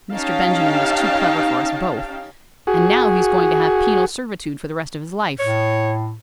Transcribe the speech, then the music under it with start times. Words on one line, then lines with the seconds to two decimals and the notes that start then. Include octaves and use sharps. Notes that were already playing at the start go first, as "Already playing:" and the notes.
Mr. Benjamin was too clever for us both, and now he is going to have penal servitude for the rest of his life.
0.14 C#4 D#4 G4 F5 G5 A5
2.67 F#4 G#4
5.39 A2 C#5